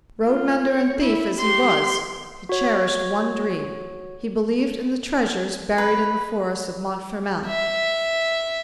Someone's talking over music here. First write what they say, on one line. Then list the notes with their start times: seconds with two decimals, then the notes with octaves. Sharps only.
Road-mender and thief as he was, he cherished one dream; he believed in the treasures buried in the forest of Montfermeil.
0.25 F4
0.69 C#5
1.00 E4
1.40 G4 C6
2.49 F#4 C#5
5.78 B4
7.46 E5